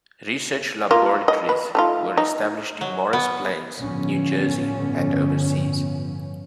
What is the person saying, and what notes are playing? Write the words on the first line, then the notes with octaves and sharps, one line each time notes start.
Research laboratories were established in Morris Plains, New Jersey, and overseas.
A#3 F4
D#5
B4
A3 D#4 F4
D#4
F#3
B3
A1 G2 D3 F3 B3 C#4